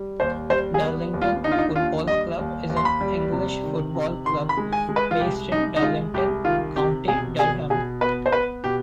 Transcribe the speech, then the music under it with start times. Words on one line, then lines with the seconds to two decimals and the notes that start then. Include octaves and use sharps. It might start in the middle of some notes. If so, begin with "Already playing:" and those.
Darlington Football Club is an English football club based in Darlington, County Durham.
Already playing: G3
0.20 D#2 C5
0.50 G3 C5
0.74 G#4
0.81 B3
1.13 D#2
1.21 F4
1.44 D3 D#4
1.52 F4
1.58 D#4
1.75 D#2 F4
2.07 G3 D#5
2.38 D#2
2.69 D#2
2.77 C6
2.85 B5
3.01 G3
3.32 C3
3.64 D#3
3.95 C3
4.26 D#3 C6
4.49 B5
4.57 G#3
4.73 G#5
4.89 G#3
4.96 B4
5.11 F4
5.20 C2 G4
5.51 C2 D#4
5.76 D#4
5.82 G#3 F4
6.14 C2 G4
6.45 D#3 F4
6.76 C3 G4
7.08 B2 G#4
7.39 B2 G#4
7.70 B2 G#4
8.01 B3 B4
8.26 C5
8.32 B3 B4
8.64 B2 G4